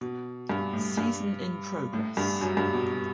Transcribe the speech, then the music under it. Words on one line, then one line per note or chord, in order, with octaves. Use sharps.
Season in progress.
B2
G2
A2
G2
A2
G2
F#2
G2
B2